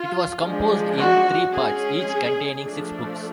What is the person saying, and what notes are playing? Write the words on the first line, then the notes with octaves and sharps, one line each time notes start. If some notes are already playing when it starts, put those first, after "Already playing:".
It was composed in three parts, each containing six books.
Already playing: F4
F3 G#3 D4
F#4
G#3 C#4 G#4
F3 A3 D4